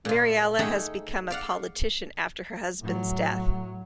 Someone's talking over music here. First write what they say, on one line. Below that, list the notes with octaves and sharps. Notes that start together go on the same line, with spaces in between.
Mariella has become a politician after her husband's death.
A#2 F4
A3 D#4 G#4 F#5 G5
D5 F5 F#5
A2 F#3